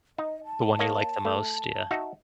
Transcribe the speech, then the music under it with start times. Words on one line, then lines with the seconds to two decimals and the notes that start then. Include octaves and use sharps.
The one you like the most, yeah.
0.18 D#4 D#5
0.45 A5
0.79 A#3 C#5 D#5
1.25 A3
1.91 D#4 F#4 E5